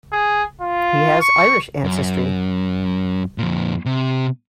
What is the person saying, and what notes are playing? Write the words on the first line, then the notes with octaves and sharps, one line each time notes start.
He has Irish ancestry.
G#4
F4
C#6
F#2
F2 A#2
C3